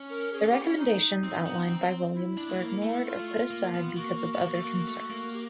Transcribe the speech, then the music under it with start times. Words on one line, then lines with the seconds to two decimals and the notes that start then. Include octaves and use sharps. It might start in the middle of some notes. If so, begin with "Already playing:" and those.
The recommendations outlined by Williams were ignored or put aside because of other concerns.
Already playing: C#4
0.10 A#4
0.32 G#4
0.48 G4
0.63 E4
0.78 D#4
1.24 C4
1.46 B3
1.69 C4
2.14 E4
2.37 D4
2.49 A3
2.60 A#3
2.82 A3
3.06 F4
3.51 A#3
3.74 B3
3.96 A#3 F#4
4.34 B3
4.42 A#3
4.55 A3
4.65 A#3
4.88 A3
5.10 A#3
5.33 G4